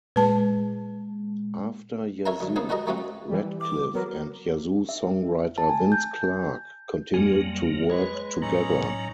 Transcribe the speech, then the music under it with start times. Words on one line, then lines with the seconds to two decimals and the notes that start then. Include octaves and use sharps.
After Yazoo, Radcliffe and Yazoo-songwriter Vince Clarke continued to work together.
0.16 A#2 G#3 B4 A5
2.26 A#4 C#5 E5 F5 A5 A#5
2.40 D3 F#3
2.56 F3 A#3 B3 F#4 C#5
2.69 G3 F#4 A4 A#4 D#5 A#5
2.87 F#3 A3 C4 C#4 F4 F#4
3.30 E3 G3
3.61 D6
3.94 F#3 B3 A#4
4.89 E5
5.58 A5
5.69 G#5
5.92 G6
7.14 F2 F#3 G3 A#3 G#5
7.90 G#3 B4 C#5
8.42 A2 F#3 C#4 D#4 A#5